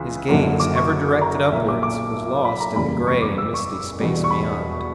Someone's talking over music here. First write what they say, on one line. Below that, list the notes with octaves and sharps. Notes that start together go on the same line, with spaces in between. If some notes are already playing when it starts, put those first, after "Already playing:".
His gaze, ever directed upwards, was lost in the grey and misty space beyond.
Already playing: C#2 C#3 E3
F#1 F#2 D3 F#3 A#3
D6
C#6
A#5
B1 A#2 A#3 E5
D6
D6
B5
A#5
F#1 E2 C#3 G3 A#3 B5
C#6
D6
E6
C#6
E1 E2 B2 G3
C#6
B5